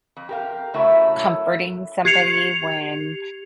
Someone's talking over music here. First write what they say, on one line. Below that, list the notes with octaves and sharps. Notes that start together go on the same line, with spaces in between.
comforting somebody when
F2
G4 A#4 F5
C#3 F#3 A3 E4 A#4 E5
G4 G#6 C7 C#7 F7